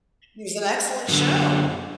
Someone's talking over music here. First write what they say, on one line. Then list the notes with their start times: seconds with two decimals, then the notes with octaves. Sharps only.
He's an excellent show.
1.09 F#2 D3